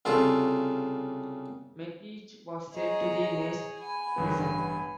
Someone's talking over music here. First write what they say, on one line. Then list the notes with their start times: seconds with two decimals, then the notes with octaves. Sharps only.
McCreesh was sent to the Maze Prison.
0.05 C2 C#3 F4 A4
2.74 G#4 C#5 D#5 A#5
3.80 F#5 G#5 B5
4.16 A1 G2 B3